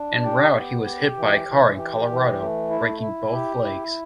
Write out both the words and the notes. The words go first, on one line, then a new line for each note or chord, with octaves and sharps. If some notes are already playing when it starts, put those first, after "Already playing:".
En route he was hit by a car in Colorado, breaking both legs.
Already playing: D4
G4
B3
G4
E3
E3
G4
E3
A3
E4
E4
G4
E4